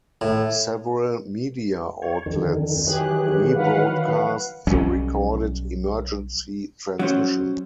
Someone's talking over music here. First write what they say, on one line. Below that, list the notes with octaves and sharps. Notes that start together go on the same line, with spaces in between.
Several media outlets rebroadcast the recorded emergency transmission.
A2
C#5
F2 D3 D#3
D#3 E3 F#3 G4 G#4 F#6
B4 F5 F#5
B1 F#3 G3 C#4
F#3 C#4 C5